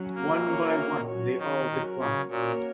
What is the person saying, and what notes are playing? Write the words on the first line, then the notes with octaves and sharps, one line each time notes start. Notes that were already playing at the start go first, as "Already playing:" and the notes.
One by one they all decline.
Already playing: F#3 C#4 F#4
A#3
C#4 F#4 A#4 C#5
F#3 C#4 F#4 C#5
D#3
F#3 C#4 F#4 A#4
C#3
A#2 A#3 C#4 F#4 A#4 C#5